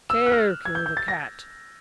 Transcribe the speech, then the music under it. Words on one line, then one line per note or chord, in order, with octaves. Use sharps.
Care killed a cat.
E6
F#6
F6
G#6
G6
G6
A6
A#6